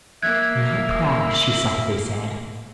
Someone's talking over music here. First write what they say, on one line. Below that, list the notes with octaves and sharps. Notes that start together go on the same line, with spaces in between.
"Not proud," she softly said.
A#3 E5 F#6 G#6